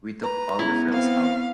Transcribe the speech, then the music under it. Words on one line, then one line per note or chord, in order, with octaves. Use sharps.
We took all the frills out.
B4 A#5
C#3 B3 E4
C4 F5